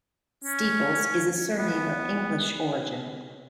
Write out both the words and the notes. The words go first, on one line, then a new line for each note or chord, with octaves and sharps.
Steeples is a surname of English origin.
C#4
B3